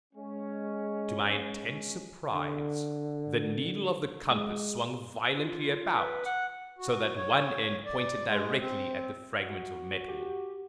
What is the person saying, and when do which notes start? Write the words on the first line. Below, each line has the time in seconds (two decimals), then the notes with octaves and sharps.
To my intense surprise the needle of the compass swung violently about, so that one end pointed directly at the fragment of metal.
0.14 G#3 C#4
2.32 D3
4.28 G#3
5.36 F4
5.97 B4
6.25 F#5
6.78 F#4
7.16 C#5
7.85 D5
8.27 G#3
8.59 C4
9.40 F#4
10.08 G4